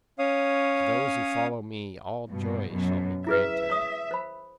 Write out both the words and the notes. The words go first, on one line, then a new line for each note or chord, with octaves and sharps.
To those who follow me all joy shall be granted.
C#4 C#5 F5 D#6
G2 B2
F#2 B2
E4 G#4 B4 E5
C#5 D#6
C5 B5